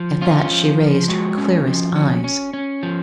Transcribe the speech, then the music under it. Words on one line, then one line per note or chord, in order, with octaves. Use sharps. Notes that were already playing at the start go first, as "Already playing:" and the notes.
At that she raised her clearest eyes.
Already playing: F3
C#4 F4
F3
F3
G#3 F#4
C#4
F3
C#4
C#4
C#4
F3